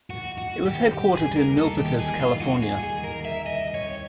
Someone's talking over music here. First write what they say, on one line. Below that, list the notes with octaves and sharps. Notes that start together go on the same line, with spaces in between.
It was headquartered in Milpitas, California.
D#2 F#4
A#3 F#4
D#3 G4
G3 G4
G#4
D#2
A#4
A#3
A4
D#3 G4
G#4
G3
F4
D#2
F#4
A#3 G#4
G#4
D#3
A#4
G3
E5
C2 D#5
C4 C#5